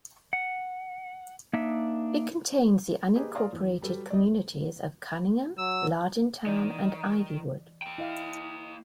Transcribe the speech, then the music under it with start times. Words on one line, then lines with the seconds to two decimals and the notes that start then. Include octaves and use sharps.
It contains the unincorporated communities of Cunningham, Lardintown, and Ivywood.
0.33 F#5
1.53 A#3 D4 D#4 E5
3.15 A#3 G4 G#4 B4 C5 D#5
3.35 C#5 D5 F5 A#5 C6 D#6
3.53 E2
3.81 F#3 G3 A4 B4
4.10 D5 D#5
5.58 F#3 E6
6.47 D#3 E3 D5 D#5
7.82 A#3 G5
7.98 E4 D#5 F5